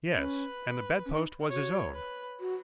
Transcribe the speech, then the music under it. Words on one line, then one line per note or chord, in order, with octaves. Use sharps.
Yes! and the bedpost was his own.
C#4 B4
C#4
D#4
A#4
F#4 C#5
B4
F#4